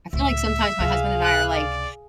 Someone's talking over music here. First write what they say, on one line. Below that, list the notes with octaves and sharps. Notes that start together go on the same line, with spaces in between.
I feel like, sometimes, my husband and I are, like,
C#2 A2 E5
C#2 C3 G#4 F5
F#6
D5